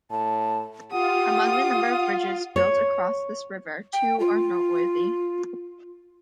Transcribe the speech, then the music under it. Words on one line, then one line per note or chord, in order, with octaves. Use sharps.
Among the number of bridges built across this river, two are noteworthy.
A2 A5
F4 G4 F#5 D#6
C#5
G5
F4